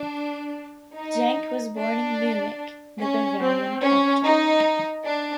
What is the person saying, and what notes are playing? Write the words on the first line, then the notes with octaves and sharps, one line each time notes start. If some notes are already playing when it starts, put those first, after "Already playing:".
Jank was born in Munich, the Bavarian capital.
Already playing: D4
D#4
D4
C#4
C4
C#4
D#4
D4